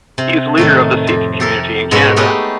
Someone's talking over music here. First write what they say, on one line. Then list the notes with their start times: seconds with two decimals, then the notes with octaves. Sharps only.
He is a leader of the Sikh community in Canada.
0.18 C3
0.58 A2 D#3 A3
1.07 F2
1.40 G4 A4 A#4
1.91 G#2 B2 A#4 C#5 E5 B5
2.16 A3 B3 D#4 G4 G#4